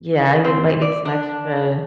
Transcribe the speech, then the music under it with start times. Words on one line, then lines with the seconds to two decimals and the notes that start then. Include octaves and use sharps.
yeah, you’d might need some extra
0.44 C4
0.82 D5
1.05 D4